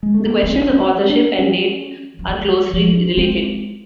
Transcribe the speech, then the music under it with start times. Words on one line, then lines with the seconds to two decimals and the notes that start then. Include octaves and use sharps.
The questions of authorship and date are closely related.
0.03 G#3
0.14 A3
0.26 A#3
0.38 B3
0.43 F3
0.49 E3 C4
0.70 C#4
0.80 C4
1.09 D4
1.39 C#4
2.19 F3
2.28 E3
2.73 F3
3.17 G#3 C4